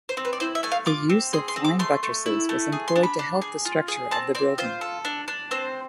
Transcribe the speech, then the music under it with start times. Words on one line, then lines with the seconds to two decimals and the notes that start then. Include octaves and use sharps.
The use of flying buttresses was employed to help the structure of the building.
0.09 C5
0.17 C4
0.25 B4
0.33 D5
0.40 E4 C5
0.55 E5
0.63 A3 G#5
0.72 F5
0.86 F4 D6
1.09 C4
1.33 G#4 C6
1.48 C6
1.56 C4
1.65 D6
1.79 A3 C6
2.03 A3
2.26 E4
2.49 A3
2.72 G#4
2.88 C6
2.96 D4
3.03 B5
3.19 D4
3.42 G#4
3.65 F4
3.88 G#4
4.11 C4 A5
4.35 C4 D5
4.58 F4 C5
4.81 A4
5.05 D4
5.28 D4
5.51 C4 C5